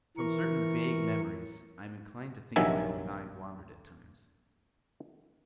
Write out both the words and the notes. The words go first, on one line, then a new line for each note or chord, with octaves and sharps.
From certain vague memories I am inclined to think my own mind wandered at times.
E3 A#4 C#6
A#1 C3 D#3 F#3 E5 G#5